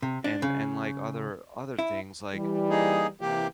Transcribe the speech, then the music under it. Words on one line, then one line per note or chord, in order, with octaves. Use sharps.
And and, like, other other things, like
C3
D4
C#3
E4
E3 G3
A#3 D#4 G#4
C3 E3 A#3 G4